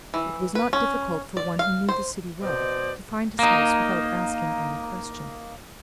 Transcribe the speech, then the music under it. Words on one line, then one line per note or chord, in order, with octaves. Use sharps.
It was not difficult for one who knew the city well, to find his house without asking any question.
E3
B4
C#4
D5
F5
C5
B2 C5 D5 D#5
A#3 D#4